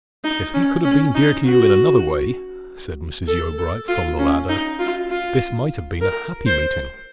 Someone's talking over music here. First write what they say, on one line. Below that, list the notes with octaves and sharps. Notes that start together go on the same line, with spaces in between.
"If he could have been dear to you in another way," said Mrs. Yeobright from the ladder, "this might have been a happy meeting."
D#4
C#4
C#4
D#4
F#4
A4
A4
F4
C#4
D#4
F4
F4
A#4
C5